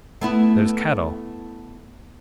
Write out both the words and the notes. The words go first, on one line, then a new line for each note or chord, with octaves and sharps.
'There's cattle!
A3 B3 E4